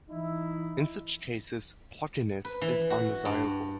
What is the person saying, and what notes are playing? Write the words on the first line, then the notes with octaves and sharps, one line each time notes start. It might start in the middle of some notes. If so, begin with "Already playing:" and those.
In such cases, blockiness is undesirable.
E3 D#4 E4
B4
E3
F#4
G2